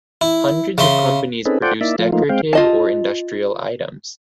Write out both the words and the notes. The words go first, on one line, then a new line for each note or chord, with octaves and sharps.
Hundreds of companies produced decorative or industrial items.
E4
C#3 E5 C6
C4 C#4 D#4 G#4 A4 B4
F4 A4 C5 D5 F#5 G5
A#3 D#4 E4 D5 E5
F3 A3 F4
F3 A3 A#3 D#4 F4
G#3 C4 F5 G5
F4 D#5 A5